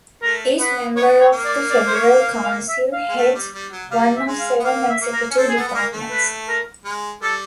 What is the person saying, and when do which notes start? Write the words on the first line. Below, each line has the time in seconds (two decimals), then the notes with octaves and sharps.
Each member of the Federal Council heads one of seven executive departments.
0.22 A3 A#4
0.59 B3 B4
0.96 B3 C#5
1.20 C#5
1.32 A#3
1.45 D5
1.70 D5
1.87 C5
1.94 C#5
2.19 F5
2.43 F5
2.68 E5
2.93 F5
3.09 G#3
3.17 A3
3.35 G3
3.53 G3
3.72 F#3
3.91 G3 F5
4.16 E5
4.27 G#3
4.39 F5
4.60 B3
4.64 A#3 F5
4.77 F5
4.89 E5
5.01 A#3
5.13 A#4
5.31 C#4
5.37 C4 A4
5.48 G#4
5.56 B3
5.59 A4
5.68 B3
5.74 A#3 A#4
5.93 A3
6.11 B4
6.48 A#4
6.85 G#3
7.22 G3 A4